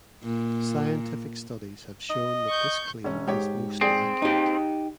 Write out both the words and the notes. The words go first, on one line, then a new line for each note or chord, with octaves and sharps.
Scientific studies have shown that this claim is mostly accurate.
A#2
D#5
C#6 G6
E1 C#4
G#2 G4 C#5
C4 G#4 D5 G5
D#4 G4